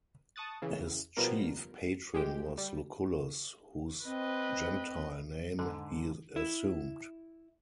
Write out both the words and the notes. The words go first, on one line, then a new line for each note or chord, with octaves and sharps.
His chief patron was Lucullus, whose gentile name he assumed.
A5 C#6 D#6 F#6 A6
C#3 E3
B2 F3 G3 B3 A#4
G#3 G4 G5
G3
C4 B4 D#5
G#2 D3 A4
E4